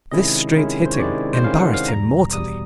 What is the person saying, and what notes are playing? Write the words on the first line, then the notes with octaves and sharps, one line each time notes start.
This straight hitting embarrassed him mortally.
C3 D#3 G#3 C#4 E4 D#5
C3 D#3 G#3 C#4 E4
C5
C#5
C3 D#3 G#3 C#4 E4 D5
C5
C3 D#3 G#3 C#4 E4 F5
F#5
F5
E2 B2 G3 A#5
E2 B2 G3 D#6